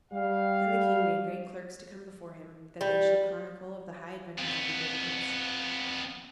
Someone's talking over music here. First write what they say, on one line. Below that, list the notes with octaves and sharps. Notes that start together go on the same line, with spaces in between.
Then the king made great clerks to come before him, that they should chronicle of the high adventures of the good knights.
G3 F5
G3
F2 B3